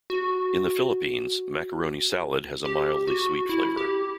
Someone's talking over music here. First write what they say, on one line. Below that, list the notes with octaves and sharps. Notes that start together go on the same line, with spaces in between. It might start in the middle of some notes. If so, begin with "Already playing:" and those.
In the Philippines, macaroni salad has a mildly sweet flavor.
F#4
G4
F#4
E4
G4